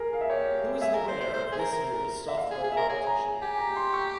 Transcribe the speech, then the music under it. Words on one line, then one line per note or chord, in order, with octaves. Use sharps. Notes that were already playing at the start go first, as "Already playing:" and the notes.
Who's the winner of this year's software competition?
Already playing: G#4 A#4
F5
E5
G4 C#5
G#4 E5
A#4
C5
C5
C5
G#4
A#4
A#4
E5
F5
G#4
F5
G#4
E5
A#4
G#4 C#5
A#5
G4 G#5
A#5
C6
C#6